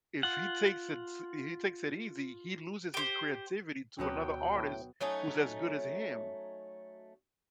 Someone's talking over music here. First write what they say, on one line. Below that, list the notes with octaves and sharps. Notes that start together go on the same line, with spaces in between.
if he takes it s he takes it easy, he loses his creativity to another artist who's as good as him.
F4 F#5
G4 C5
D2 B2 F#3 B3 G5
A2
F#3 A3 C#4 D#4